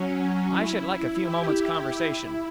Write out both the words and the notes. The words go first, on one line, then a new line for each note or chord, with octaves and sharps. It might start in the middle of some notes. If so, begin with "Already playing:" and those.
"I should like a few moments' conversation."
Already playing: F#3 C#4
E4
G4
E4